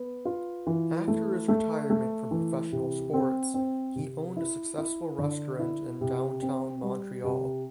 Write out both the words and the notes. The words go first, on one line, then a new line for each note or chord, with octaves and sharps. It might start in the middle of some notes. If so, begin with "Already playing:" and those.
After his retirement from professional sports, he owned a successful restaurant in downtown Montreal.
Already playing: B3
F4
E3
A3
A3
A3
E3
C3
C4
C4
C3
E4
E4
D3
E4
C3
C4
G3
C3